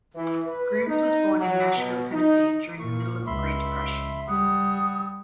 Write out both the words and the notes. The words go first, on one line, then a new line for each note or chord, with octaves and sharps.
Grooms was born in Nashville, Tennessee during the middle of the Great Depression.
E3
B4
D#4
F#3
B2
D#4
A#2 C#6
C#2 E5 B5 C6
G3 F#5 D#6